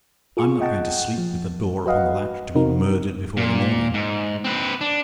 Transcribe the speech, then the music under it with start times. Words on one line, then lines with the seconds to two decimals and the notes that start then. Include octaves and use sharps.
I'm not going to sleep with the door upon the latch, to be murdered before the morning.
0.37 F4 G#4 C#6
0.61 D#5 F#5 G5 A5
1.18 F3
1.86 F#4 B4 D#5 F5 F#5
2.55 C3 C4 D#4 F#4 A#4
3.37 A#2
3.94 G#2
4.44 C4 B4
4.81 D4